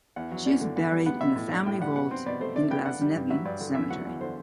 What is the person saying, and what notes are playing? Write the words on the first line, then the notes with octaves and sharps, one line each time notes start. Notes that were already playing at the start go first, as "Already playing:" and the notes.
She is buried in the family vault in Glasnevin Cemetery.
E2 F#5
F#3
E2 D5
D3
E2 F#5
G3
B3 F#5
B2 E5
A2
D4
A2 G5
G3 F#5
B2 F#5
C4
B2 D5
A3 C5
C3 D5
B3 G5
D4 F#5
G3
G2
F#3 E5
G2 D5
D3
E2 E5
F#3 F#5
E2
D3 C5